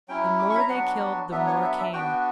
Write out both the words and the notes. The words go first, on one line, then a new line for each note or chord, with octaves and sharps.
The more they killed the more came.
F#3 C#4 E4 G5
D6
C#6
B5
A#5
F#3 B3 D4 F#4 F#5
F#3 B3 D4 E5
C#5
E5
E5
B3 D4 F#4 G5